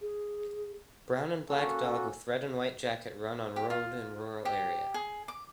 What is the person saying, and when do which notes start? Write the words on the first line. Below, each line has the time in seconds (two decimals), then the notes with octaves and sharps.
Brown and black dog with red and white jacket run on road in rural area.
0.01 G#4
1.50 A#3 C#4 F#4 A4
3.56 G4
3.70 F4
4.45 G4
4.94 G#4
5.28 D6